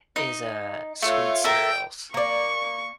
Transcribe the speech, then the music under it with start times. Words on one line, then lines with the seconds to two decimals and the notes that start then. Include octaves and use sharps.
is, uh, sweet cereals.
0.16 D#4
1.02 A3 F4 C#5
1.44 A4 A#4 E5 G5
2.14 A#3 D5 C#6